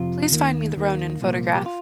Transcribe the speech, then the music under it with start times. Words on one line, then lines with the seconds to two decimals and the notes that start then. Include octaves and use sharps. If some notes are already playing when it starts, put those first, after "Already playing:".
Please find me the Rounin photograph.
Already playing: F2 C3 F3 F4
0.31 D#2 D#3 A#3
0.76 D#2 D#3 A#3
1.21 C2 A#2 F3 A#3
1.55 G4
1.66 F4